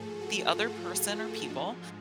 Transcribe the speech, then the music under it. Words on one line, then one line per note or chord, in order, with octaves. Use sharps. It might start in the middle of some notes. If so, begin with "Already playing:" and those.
the other person, or people,
Already playing: G#2 F3 A3 G#4 A4
F#4
F4
F4
G#2 F3 G#3 D4